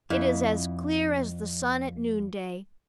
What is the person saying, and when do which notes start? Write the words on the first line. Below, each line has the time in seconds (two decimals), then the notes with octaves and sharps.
It is as clear as the sun at noonday.
0.10 F2 E4